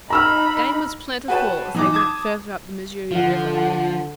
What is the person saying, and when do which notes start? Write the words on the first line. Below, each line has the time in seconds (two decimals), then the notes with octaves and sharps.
Game was plentiful as they went farther up the Missouri River.
0.10 D#4 A#5 B5 E6 F6
1.28 F#4 G#4 B4 C#5 G5 A5
1.74 E3 D#4 D6
1.93 A5 D6 D#6 G#6
3.11 D3 F3 F4 F#5
3.54 F#5 A5